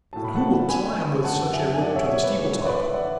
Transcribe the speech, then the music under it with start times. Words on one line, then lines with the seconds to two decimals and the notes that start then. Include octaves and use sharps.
And who will climb with such a rope to the steeple-top?
0.13 A2 F#3 A5
0.24 B5
0.35 F#5 A5
0.68 G#5 B5
1.25 F#2 D3 F#3 F#5 A5
1.53 E5 G#5
1.74 G#5
1.81 D5 F#5
1.95 C#5 E5
2.10 C#5
2.24 B4
2.38 A2 E3 C#5
2.66 B4 D5
2.88 E5
2.94 D5 F#5